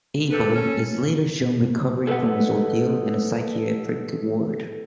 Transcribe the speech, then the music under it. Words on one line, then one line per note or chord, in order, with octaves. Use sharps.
Abel is later shown recovering from his ordeal in a psychiatric ward.
G#2 C3 A4 B4
C#4
A4 B4 C#5 D#5 F#5